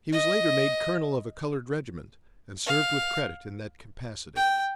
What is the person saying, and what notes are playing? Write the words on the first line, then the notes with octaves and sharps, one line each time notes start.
He was later made colonel of a colored regiment, and served with credit in that capacity.
D#5
F5
G5